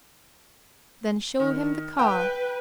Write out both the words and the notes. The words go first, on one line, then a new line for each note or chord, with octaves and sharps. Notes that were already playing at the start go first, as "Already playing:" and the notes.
Then show him the car.
D#3
B4 G5